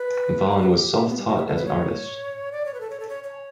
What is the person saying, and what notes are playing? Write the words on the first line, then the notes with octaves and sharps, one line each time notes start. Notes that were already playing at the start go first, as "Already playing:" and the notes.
Vaughan was self-taught as an artist.
Already playing: B4
B4
A4
B4
G4
B3
G3
F#4
G4
A4
B4
C#5
D5
C#5
B4
A4
C#5
A4
C#5
C#5